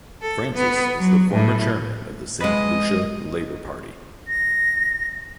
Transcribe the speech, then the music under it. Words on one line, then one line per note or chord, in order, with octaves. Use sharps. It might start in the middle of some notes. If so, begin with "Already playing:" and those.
Francis is the former chairman of the Saint Lucia Labour Party.
A4
B3
F#3
A2
G#3 B4 D#5
A#6